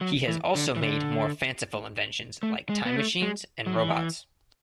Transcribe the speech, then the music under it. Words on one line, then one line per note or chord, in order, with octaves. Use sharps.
He has also made more fanciful inventions like time machines and robots.
F#3
E3
D3
E3
D3
A3
G#3
B3
A3
G#3
F#3
E3